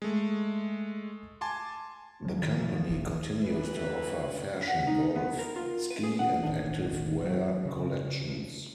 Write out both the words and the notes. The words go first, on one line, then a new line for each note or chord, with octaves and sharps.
The company continues to offer Fashion, Golf, Ski and Active Wear collections.
G#3 A3
G#5 A5 C6 D6
F3 F#3
D#3 F3
E3
F3
E1 A#1 E2 E3
G1 E3 B4
F#5
D#4
B3
A#4
F4
B4
G#4
F#5
E1 A1 D#3 D4
F#3
C#3